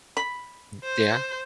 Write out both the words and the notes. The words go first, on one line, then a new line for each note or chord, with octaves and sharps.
M Yeah.
B5
C5